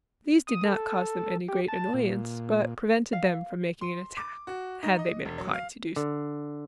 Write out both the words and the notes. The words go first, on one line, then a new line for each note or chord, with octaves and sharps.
These did not cause them any great annoyance but prevented them from making an attack, had they been inclined to do so.
D#6
A4
G4
A5
A#2
F5
C6
D6
F#4
D#4
D#5
E1
F#3
F5
D3